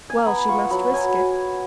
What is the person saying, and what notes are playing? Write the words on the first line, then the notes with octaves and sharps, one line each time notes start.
Well, she must risk it.
G#5
A#5
B3 B5
F4 C#6
F#3 B5
F#3 G#5